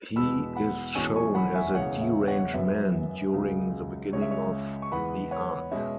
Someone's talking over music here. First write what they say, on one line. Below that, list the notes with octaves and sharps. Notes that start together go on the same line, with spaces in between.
He is shown as a deranged man during the beginning of the arc.
E2 B2 G#3 B5 E6
F#5 B5
E1 E2 B2 G#3 C#4 G#5 C#6
G#5 C#6
F#5 B5
E5 G#5
E1 E2 C#3 C#5 F#5
E5
C#5 F#5
F#2 F#3 B3 E5
C#2 C#3 F#3
C#2 C#3 G#3 C#4 C#5
E5
C#5
C#6
E2 E3 G#3 B3 F#5 B5
C#5 F#5
B2 G#3 C#4 E5